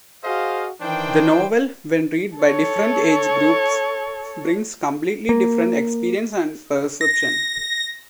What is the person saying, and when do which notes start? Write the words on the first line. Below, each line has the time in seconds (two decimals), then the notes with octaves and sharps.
The novel when read by different age groups brings completely different experience and perception.
0.23 F#4 G#4 C5 D#5 F5
0.81 D#3 E3 D4 C5 G5
2.39 A4 C#5
5.29 A#3
7.01 A#6